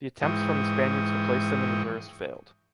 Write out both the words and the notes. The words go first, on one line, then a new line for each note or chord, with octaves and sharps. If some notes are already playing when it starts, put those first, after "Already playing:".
The attempts from the Spaniards to place them in reserves failed.
G#2 E3 G5 C#6 D#6